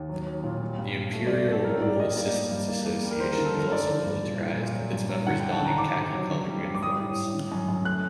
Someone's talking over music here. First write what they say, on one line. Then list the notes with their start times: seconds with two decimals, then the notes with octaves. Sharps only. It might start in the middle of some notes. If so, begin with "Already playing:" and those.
The Imperial Rule Assistance Association was also militarized, with its members donning khaki-colored uniforms.
Already playing: D#2
0.09 F#3
0.26 F#3
0.44 A#2
0.62 G3
0.78 G2
0.96 G2
1.13 A3
1.27 A3 D5
1.48 A3 A4
1.65 A2 A#4
1.81 G3 D5
1.99 G3 D#5
2.16 A#3 D5
2.34 G2
2.51 G2
2.68 A#3
2.86 A#3
3.03 G3
3.11 A#4
3.20 D#2 C5
3.33 A#4
3.38 D3
3.45 A4
3.54 D3
3.59 A#4
3.71 G2 D5
3.89 D3
4.07 G2
4.23 A#2
4.41 A#2
4.58 A#2
4.75 F#3
4.93 G2
5.09 F#3
5.27 D3 F#5
5.40 D#2 G5
5.52 A5
5.62 D3 A#5
5.78 D#3 D6
5.97 C3
6.13 F#3
6.30 D3
6.48 G3
6.65 G2
6.75 D6
6.83 G3 D#6
6.99 A2
7.17 A2
7.34 D3
7.52 F#2
7.69 F#2
7.85 A3 F#6